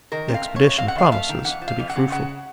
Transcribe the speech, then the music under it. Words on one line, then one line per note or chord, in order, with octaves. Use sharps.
The expedition promises to be fruitful.
D#3 A#4
C4
F5
A3
C#5
F#2
C4 F5
F#5
D#3 F5
A3 F5
D#3
F2 F#5
F3
F5
F2
F#5
C#3
C#3 F#5